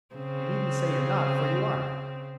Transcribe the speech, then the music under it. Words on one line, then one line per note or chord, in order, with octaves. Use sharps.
You needn't say you're not, for you are!
C#3 C4